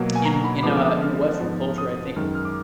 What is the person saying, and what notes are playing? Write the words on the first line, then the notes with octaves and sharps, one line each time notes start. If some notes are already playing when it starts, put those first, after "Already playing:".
In in a in the Western culture, I think,
Already playing: B2 F#3 A#3
G#5
A#5
B5
B5
D3 F3 G#3 B3 D6
D6
D#6
F6
G#2 F3 B3
D#6
F#2 D#3 G#3 F6
F6
D6